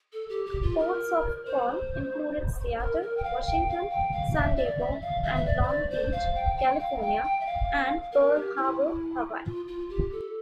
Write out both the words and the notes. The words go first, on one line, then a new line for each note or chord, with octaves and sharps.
Ports-of-call included Seattle, Washington; San Diego and Long Beach, California; and Pearl Harbor, Hawaii.
A4
G4
G4
F4
A#4
C5
A#4
A#4
G5
F5
G5
F5
G5
F5
E5
D5
E5
F5
E5
E5
D5
C5
D5
C5
F5
G5
G5
F5
G5
G5
E5
F5
A#4
G4
E4
F4
F4
G4
A4